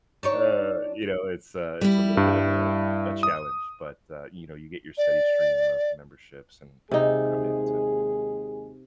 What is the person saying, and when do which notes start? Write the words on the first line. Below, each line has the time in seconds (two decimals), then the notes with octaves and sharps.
uh, you know, it's, uh, it's a little bit of a a challenge, but, uh, you know, you get your steady stream of memberships and people come in to,
0.23 D4 D#4 C#5
1.81 G3 E4
2.17 G2
3.23 D#6
4.97 D5
6.91 D#2 C3 G#3 D#4 G#4